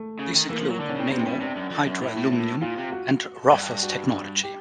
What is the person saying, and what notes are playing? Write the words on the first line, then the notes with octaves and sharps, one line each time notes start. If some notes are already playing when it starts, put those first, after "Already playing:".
These include Nammo, Hydro Aluminium and Raufoss Technology.
Already playing: A3
C#3
D#3
E3 A#3
F3
F#3
D3 D4
C#4
C#3 C4
C3 B3
C4
B2 C#4
C3 D4
F#2
F2
F#2
A2 E4
A2
A2
A#2 F4
C3
F#4
G2
F#4
G4